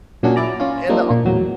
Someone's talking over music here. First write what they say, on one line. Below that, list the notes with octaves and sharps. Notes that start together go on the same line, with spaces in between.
and, uh o
A#2 F#3 C#4 D4 F#4 G#4
E4 D5 A#5
C#4 F4
F3 G3 A#3 C4 D4 D#4
A#2
E2 A2 F#3